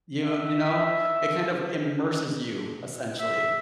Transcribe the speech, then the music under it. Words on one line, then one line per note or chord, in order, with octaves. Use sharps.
Y you know? It kind of immerses you, essentially.
E5
E5